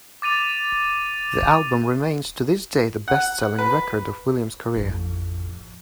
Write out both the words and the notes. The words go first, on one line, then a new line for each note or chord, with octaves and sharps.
The album remains, to this day, the best-selling record of Williams' career.
D6 A6 D#7 F7
F#5
B4
A1 F2